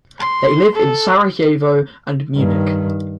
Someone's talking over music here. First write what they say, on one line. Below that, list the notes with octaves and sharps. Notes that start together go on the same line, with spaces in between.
They live in Sarajevo and Munich.
C6
A4
G2 D#3